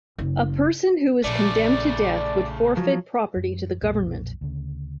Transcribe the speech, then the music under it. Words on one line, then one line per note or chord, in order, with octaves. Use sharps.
A person who was condemned to death would forfeit property to the government.
F#1
A#1 C#3 A3 D5
F3 F#3
F#2
B1 F2 A#2
D2 C#3